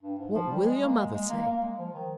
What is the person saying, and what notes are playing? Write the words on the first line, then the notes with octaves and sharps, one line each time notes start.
"What will your mother say?"
G2
G#2
F3
G3
G#3
A#3
G#3
G#3
A#3
A#3
G#3
F3
D#3